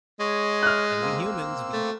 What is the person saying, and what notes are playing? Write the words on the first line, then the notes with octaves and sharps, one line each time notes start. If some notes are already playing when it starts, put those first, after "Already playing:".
And we humans, we
G#3 C#5
F6 F#6
A#3 C4 E6
A3